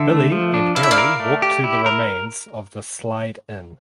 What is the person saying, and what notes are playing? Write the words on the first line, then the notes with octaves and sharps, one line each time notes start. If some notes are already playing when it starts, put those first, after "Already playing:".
Billy and Mary walk to the remains of the Slide Inn.
Already playing: D3 E5
A3
F3
D4
E4 F5
E5
D5 F5
A#4
A3
G4
E4
A#4